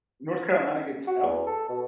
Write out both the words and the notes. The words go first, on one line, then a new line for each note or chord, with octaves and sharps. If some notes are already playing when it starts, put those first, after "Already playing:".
North Carolina gets snow?
F#4
E2
A4
B2